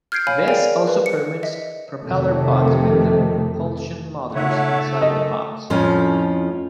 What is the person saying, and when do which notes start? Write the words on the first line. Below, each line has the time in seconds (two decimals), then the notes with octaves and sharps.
This also permits propeller pods with the propulsion motors inside the pods.
0.12 F6 G6 G#6 C7 D7
0.27 C#5 F5 G#5 B5
0.48 G#4 A#4 D5 F5 G5 G#5
0.87 B4
1.06 C#7
1.43 D#5 E5
2.03 F2 C3 D#3 A3
4.36 C#3 A3 D#4 F4 C#5 E5 F#5
5.01 F#2 D#5
5.70 F2 A2 F3 C#4